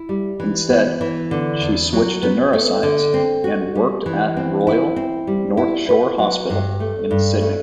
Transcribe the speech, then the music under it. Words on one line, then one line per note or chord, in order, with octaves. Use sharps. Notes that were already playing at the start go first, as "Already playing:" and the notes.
Instead, she switched to neuroscience and worked at Royal North Shore Hospital in Sydney.
Already playing: E4
G3
E3
B3
E3
D3
E2
F#3
B3
A3
D3
C4
F#4
G3
E3
C4
E4
C4
G3
E4
B4
F#3
G2
A3
G2
A3